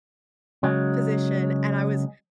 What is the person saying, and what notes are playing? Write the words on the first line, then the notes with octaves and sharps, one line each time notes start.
position, and I was
C#3 F#3 G#3